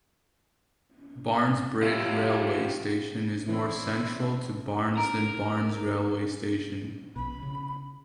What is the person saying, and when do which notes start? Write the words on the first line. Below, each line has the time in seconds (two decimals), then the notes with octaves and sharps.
Barnes Bridge railway station is more central to Barnes than Barnes railway station.
1.82 F4 G4 C#5 E5
3.48 A2 E3 C4 E4 D5 E5 B5
4.97 A#4 A#5
7.16 A#1 B2 B5
7.43 C#3